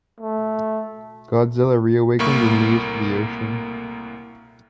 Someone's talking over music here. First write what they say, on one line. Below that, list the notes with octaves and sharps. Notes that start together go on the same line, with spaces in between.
Godzilla reawakens and leaves for the ocean.
A3
C2 A2 A#3 B5 C#6